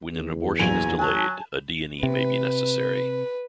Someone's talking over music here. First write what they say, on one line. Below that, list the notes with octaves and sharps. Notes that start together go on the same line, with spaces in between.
When an abortion is delayed, a D and E may be necessary.
E2
A#1 F#2 G#5 F7
F#3 G#5 A5
C3 B4